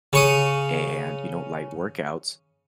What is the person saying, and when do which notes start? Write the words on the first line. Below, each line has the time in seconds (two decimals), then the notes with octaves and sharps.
and, you know, light workouts
0.13 C#3 C#6 D#6